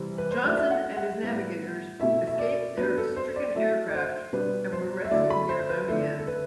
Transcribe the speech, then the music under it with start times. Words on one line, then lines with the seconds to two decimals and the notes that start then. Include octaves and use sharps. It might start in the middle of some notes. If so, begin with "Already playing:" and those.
Johnson and his navigator escaped their stricken aircraft and were rescued near Amiens.
Already playing: C3 E3 G3 C4
0.18 B4
0.31 C5
0.44 F#3 A3 E4 D5
0.57 E5
0.71 F#5
0.97 F#5
1.23 A2 G3 B3 E4
1.99 B2 A3 E4 E5
2.27 E5
2.39 D5
2.77 F#3 B3 D4 B4
2.98 A4
3.16 C5
3.36 D5
3.55 F#3 A3 E4 E5
3.89 D5
3.94 C5
4.33 B2 G3 B3 D4 B4
4.72 C5
5.04 E5
5.11 D3 F#3 A3 E4 D5
5.30 B5
5.49 C5
5.70 B4
5.88 D3 A3 E4 A4
6.18 A4
6.27 B4